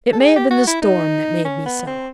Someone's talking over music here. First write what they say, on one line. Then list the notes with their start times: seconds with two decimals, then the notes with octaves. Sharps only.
It may have been the storm that made me so.
0.13 A4
0.20 G#4
0.36 G4
0.51 F#4
0.67 E4
0.82 D#4
1.45 C#4
1.66 B3
1.87 C4